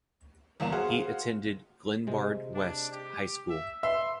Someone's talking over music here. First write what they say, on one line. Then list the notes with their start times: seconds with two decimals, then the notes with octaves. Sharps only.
He attended Glenbard West High School.
0.60 G1 E2 A#3 E7
0.72 F#4 G#4 C5 F5 F#5
2.07 C3 G#3
2.55 D4
2.91 G4
3.50 E5
3.83 B4 E5 C6